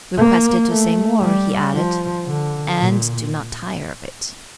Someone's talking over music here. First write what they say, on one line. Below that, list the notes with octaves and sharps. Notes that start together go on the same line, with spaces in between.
Requested to say more, he added, "And do not tire of it."
A#3
A3
G3
F3
D3
A#2